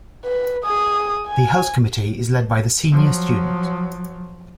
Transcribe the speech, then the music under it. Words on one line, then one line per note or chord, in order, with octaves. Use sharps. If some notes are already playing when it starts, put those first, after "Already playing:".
The House Committee is led by the Senior Student.
B4
G#4 D#6
G#5
F3 F#3